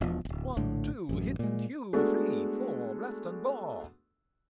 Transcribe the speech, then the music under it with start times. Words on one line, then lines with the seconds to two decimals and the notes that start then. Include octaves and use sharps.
'One, two, Hit and hew! Three, four, Blast and bore!'
0.01 E1 B2 F3
0.25 D1 G#1
0.56 A#1 A2 D3
1.09 A1 F#2
1.39 A#2 G#3
1.93 G#3 A3 B3 D4 F#4 A4